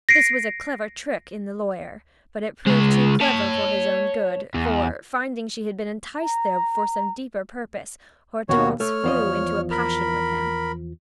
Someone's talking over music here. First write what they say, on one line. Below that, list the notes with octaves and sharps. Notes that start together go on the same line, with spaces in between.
This was a clever trick in the lawyer, but it proved too clever for his own good, for, finding she had been enticed there for some deeper purpose, Hortense flew into a passion with him.
A#6 C7 D7
C#3 G#3
C#5 A5
E2
A#5
D#2 B2 A#3 F#4 C#5
A3 C#5 F6
E2 F3 D#5
A#4 B5